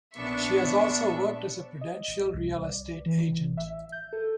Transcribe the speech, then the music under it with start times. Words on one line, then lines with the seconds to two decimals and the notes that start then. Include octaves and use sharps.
She has also worked as a Prudential real estate agent.
0.16 A#1 B3 D4 E5 C#6
1.81 D#5
2.08 A1
2.34 C2
2.64 D5
3.06 E3
3.32 A1
3.57 E5
3.92 G6
4.13 A4